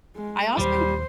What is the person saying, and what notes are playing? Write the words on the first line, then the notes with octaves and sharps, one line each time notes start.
I also
G#3
D#2 A#2 F#3 G3 C5